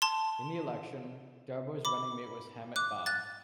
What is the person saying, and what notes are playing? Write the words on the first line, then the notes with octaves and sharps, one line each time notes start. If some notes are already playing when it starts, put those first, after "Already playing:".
In the election, Darboe's running mate was Hamat Bah.
A5 C6
B5 D6
D6 F#6
F#6 A6